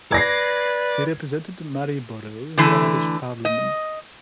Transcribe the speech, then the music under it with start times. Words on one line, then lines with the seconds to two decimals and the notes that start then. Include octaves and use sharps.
He represented Maryborough in the Irish Parliament.
0.12 B4 D5 G#6 A#6 C7
2.58 D3 E3 A3
3.45 D#5